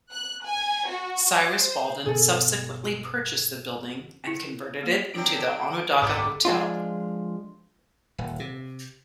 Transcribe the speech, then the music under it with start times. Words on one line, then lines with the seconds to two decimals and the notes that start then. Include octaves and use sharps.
Cyrus Baldwin subsequently purchased the building and converted it into the "Onondaga Hotel".
0.11 F#6
0.44 G#5
0.88 F#4
1.41 C5
2.06 G1 B2 G#4 A4
4.27 E4
4.83 A#3
5.14 D3 F#3 C4 D7
6.02 F#1 C#2 G#2 C3 A3 B3 D6
6.45 F3 G#3 D4 F4
8.18 D#1
8.40 C3